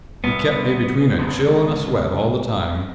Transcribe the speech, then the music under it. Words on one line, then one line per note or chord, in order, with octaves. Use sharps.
He kept me between a chill and a sweat all the time.
C2 B3
C#2 G#2 D3